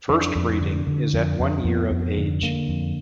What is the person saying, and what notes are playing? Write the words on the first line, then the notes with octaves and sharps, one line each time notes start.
First breeding is at one year of age.
F2 D4
F2
D3
D3
F2
F2
F2 B3
F2
D3
D3 A#3
F2